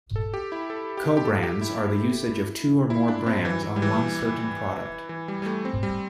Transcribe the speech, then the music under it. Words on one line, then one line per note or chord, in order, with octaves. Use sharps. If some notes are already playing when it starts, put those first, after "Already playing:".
Cobrands are the usage of two or more brands on one certain product.
A4
G4
E4
A4
G4
G4
A4
G4
E4
E4
D4
C4
E3
E3
G3
E3
E3
G3
G3
A3
C4
G3